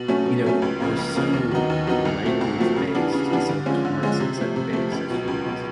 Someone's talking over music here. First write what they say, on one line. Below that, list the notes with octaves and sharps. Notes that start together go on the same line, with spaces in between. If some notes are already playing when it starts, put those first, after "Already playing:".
you know, we're so language based and so concept based as humans,
Already playing: B2
F#3 A3 C#4
B2
F#3 A3 C#4
C#2
C#3 F3 A#3
C#2
C#3 F3 A#3
D#2
D#3 F#3 B3 D#4
D#2
D#3 F#3 B3 D#4
C2
A#2 F#3 A3 C4
C2
A#2 F#3 A3 C4
C#3
E3 G3 B3 D4
C#3
E3 G3 B3 D4
D3
F3 G#3 C#4 F4
D3
F3 G#3 C#4 F4
C3
F3 A3
C3
F3 A3
C#2
B2 F#3
C#2
B2 F#3